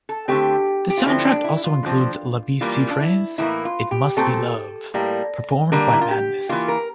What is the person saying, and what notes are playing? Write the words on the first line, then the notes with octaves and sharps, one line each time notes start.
The soundtrack also includes Labi Siffre's "It Must Be Love", performed by Madness.
A4
D3 A3 C4 G4
G4
F4
D3 F3 C4 E4
D4
E4
F4
D3 F3 C4
E3 G3 A#3 F4
D4
E4
A2 E3 G3 A#3 E4
F4
G4
A#2 A3 C4 A4
A2 G3 A#3
D3 G3 A#3 A#4
E4
F4
G4
E3 A#3 F4
A#4